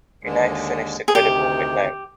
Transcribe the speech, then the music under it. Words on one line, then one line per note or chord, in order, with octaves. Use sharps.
United finished a creditable ninth.
D#2 D3 G#3
G#4
D2 C3 D#3 G4